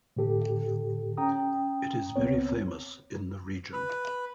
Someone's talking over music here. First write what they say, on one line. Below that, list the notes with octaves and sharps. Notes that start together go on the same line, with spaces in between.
It is very famous in the region.
A2 D3 G4 A4
C#4 G5 A#5 D#6
C#2 B3 C4 C#5
B4